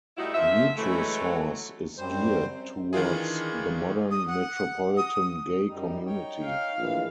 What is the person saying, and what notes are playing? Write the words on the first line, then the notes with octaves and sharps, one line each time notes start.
"Metrosource" is geared towards the modern metropolitan gay community.
A2 G3 A3 D#4 E4 F#4
F#2 C3 F3 E5
E3 F#3 G#3 A3
F#2 G3 C4 C5
D#3 E3 D4 F4 G#4
D#6
F#5
D#6
F#2 G3 D#4
D#4 C#5 G5
F5
A#1 A2 D#3 E3